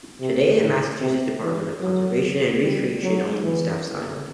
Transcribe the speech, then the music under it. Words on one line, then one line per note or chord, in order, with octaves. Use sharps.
Today the Massachusetts Department of Conservation and Recreation owns and staffs the island.
C3
A2
C3
E3
F#3
G3
F#3
E3